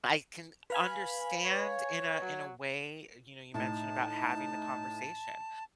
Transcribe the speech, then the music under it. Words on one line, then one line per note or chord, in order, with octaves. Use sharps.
I can understand in a in a way, you know, you mentioned about having the conversation,
B4 F5 G#5 B5
C#5
F#3
A2 D#4 A5